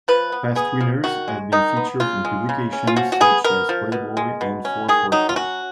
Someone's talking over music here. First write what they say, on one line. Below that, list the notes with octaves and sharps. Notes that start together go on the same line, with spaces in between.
Past winners have been featured in publications such as Playboy and Four Four Two.
F3 B4
B3
B3 G#4
F3
D#3 F#4
G#3
D#3 D#4
B3
C#3 F4
G#3
C#3
C#4
F4
F3 F#4
F#4
B3 G#4
B3 A#4
F3
B2
G#3
B2
C#4
D#3 G#4
F#3 D#4
F4
C#4 F#4